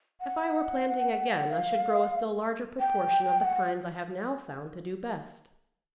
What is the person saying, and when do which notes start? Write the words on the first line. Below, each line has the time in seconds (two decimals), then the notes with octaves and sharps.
If I were planting again I should grow a still larger proportion of the kinds I have now found to do best.
0.20 F#5
1.50 F5
2.80 G5
3.45 F#5